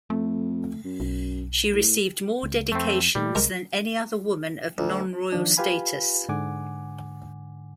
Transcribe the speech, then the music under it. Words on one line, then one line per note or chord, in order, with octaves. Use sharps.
She received more dedications than any other woman of non-royal status.
F2 A3
F#2
B1
A2
C#2
F2 A3 C4
A#2 G3 A3
C2 G#3 A#4
D2
D#3 F3 D4
F4 G4 B4 F5 G#5 B5
G#2 D3 F#5 G#5 D6